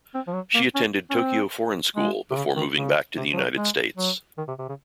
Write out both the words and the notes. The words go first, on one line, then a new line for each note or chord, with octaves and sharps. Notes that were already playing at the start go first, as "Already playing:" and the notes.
She attended Tokyo Foreign School before moving back to the United States.
C4
F3
F#3
A#3
C#4
C#4
C4
G#3
C3
C#3
D#3
C#3
C3
F3
F#3
G#3
F#3
D#3
C3
C3
C#3